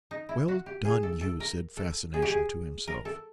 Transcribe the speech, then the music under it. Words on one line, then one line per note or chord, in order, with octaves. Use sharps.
'Well done you!' said Fascination to himself.
D#4
E4
F#4
G4
G#4
A4
A4
A#4
A4
G#4
G4
G#4
A#4
A4